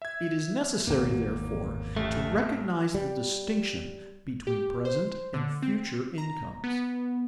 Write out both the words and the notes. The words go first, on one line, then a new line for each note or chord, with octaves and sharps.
It is necessary therefore to recognize the distinction between present and future incomes.
E5 G#6
G#1 E2 A2 A#3
A1 A3 G4
G3
G4
C5
D3
C4
A#5
B3